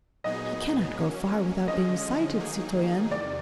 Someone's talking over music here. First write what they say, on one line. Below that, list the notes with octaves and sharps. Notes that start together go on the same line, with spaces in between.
"He cannot go far without being sighted, citoyen."
A#2 F#3 B3 D#4 G#4 D#5
F#3 A#3 C#4
D3 F3 G#3 C#4 D#5
D#3 F#3 A#3 D#4 G#4
E2 C3 D#3 D5